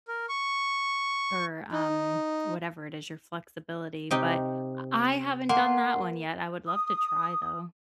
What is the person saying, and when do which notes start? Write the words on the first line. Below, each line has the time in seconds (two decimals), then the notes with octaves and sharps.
or, um, whatever it is, your flexibility. But, uh, I haven't done that one yet. I would love to try, though.
0.08 A#4
0.29 C#6
1.72 D#4
4.11 C3 D#4 G4
5.49 A#3 F#5 C6
6.66 D#6